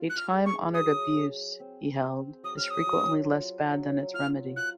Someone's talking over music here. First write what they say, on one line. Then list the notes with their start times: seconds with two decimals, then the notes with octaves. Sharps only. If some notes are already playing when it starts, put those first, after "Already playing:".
A time-honoured abuse, he held, is frequently less bad than its remedy.
Already playing: F4
0.10 F#6
0.18 F6
0.32 G#4
0.46 C#6
0.74 F#3 D#6
1.17 G#4
1.60 C4
2.01 C4
2.43 F#3 D#6
2.57 F6
2.70 D#6
2.87 F#3
3.28 F4
3.72 F#3
4.14 F4 F6
4.56 F4 F#6